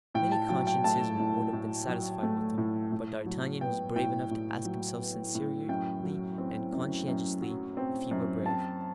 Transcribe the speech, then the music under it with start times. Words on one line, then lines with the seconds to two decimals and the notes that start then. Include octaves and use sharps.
Many consciences would have been satisfied with them, but D'Artagnan was brave enough to ask himself sincerely and conscientiously if he were brave.
0.14 A2 G5
0.32 A5
0.49 F#3 G5
0.67 G5
0.84 A3 A5
1.19 A2
1.53 A2
1.87 F#3
2.23 A3
2.58 A2
2.92 A2
3.26 F#3
3.61 B3 G5
3.96 A2 G5
4.31 A2
4.65 F#3
4.99 B3
5.35 A2
5.69 F#2 G5
6.03 F#3
6.38 C4
6.73 F#2
7.08 F#2
7.42 F#3
7.77 C4
8.11 F#2
8.46 C4 A5